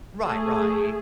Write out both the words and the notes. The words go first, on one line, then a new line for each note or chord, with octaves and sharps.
Right, right.
A3 G#4